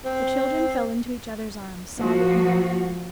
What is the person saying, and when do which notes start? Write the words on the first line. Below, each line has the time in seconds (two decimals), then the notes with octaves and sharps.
The children fell into each other's arms, sobbing and laughing.
0.05 C4
1.98 F3 A#3 F#4